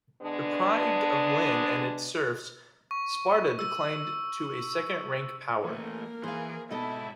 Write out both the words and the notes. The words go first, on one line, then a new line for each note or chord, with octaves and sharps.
Deprived of land and its serfs, Sparta declined to a second-rank power.
D3 G#3 B3 D4
C#6
E6
E3 A3 A#3 A#4
E3 G#4 C5 F5
G#2 B2 E4 A4 D#5 E5 A5